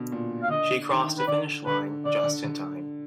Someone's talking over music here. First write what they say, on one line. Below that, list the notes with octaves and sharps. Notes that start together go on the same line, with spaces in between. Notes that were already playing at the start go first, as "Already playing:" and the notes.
She crossed the finish line just in time.
Already playing: B2 D3
A#2
F5
D3 D#5
D#3
B4
D3 D5
D3 B4
D3 D5
D3
D3